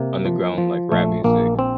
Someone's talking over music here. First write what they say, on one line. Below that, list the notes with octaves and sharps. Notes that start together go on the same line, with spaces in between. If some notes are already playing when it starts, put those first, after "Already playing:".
underground, like, rap music,
Already playing: C3 A#3
F3
F3
A#1 A3
A#1 A#3
C4